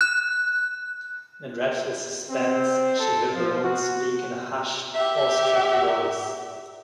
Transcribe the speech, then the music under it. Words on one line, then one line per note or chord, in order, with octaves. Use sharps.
In a dreadful suspense she heard the woman speak in a hushed, awestruck voice.
F#6
C4
A4
F3
F#4
G4 E5